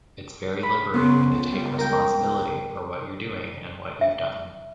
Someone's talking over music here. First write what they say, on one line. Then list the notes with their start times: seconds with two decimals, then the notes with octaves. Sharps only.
It's very liberating to take responsibility for what you're doing and what you've done.
0.63 B5
0.94 C#3 B3 C#4 C5
1.31 C#2
1.52 G3
1.78 A#4 G5
4.01 E5